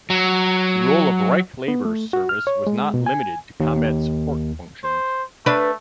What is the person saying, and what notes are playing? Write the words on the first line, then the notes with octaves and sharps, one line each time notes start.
The role of the Reich Labor Service was not limited to combat support functions.
F#3
B3
A3
F#4
F6
C#5
G#3
B2
G#5
D#2
C5
A3 D4 B4